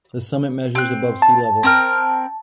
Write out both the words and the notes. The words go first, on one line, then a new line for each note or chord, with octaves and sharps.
The summit measures above sea level.
C4 F#6
A5
C4 A#4 F6